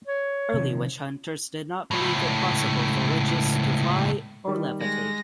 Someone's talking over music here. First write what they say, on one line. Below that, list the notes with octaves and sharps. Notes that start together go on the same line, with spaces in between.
Early witch hunters did not believe it possible for witches to fly or levitate.
C#5
C3 D#3 F3
C#2 A2
D#3 G3
G#3 A#6